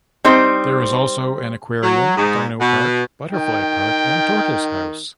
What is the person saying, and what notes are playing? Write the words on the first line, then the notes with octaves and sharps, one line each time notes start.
There is also an aquarium, dino park, butterfly park and tortoise house.
G3 C4 D#4 C5
F#3
G#2
B2
D#3 G5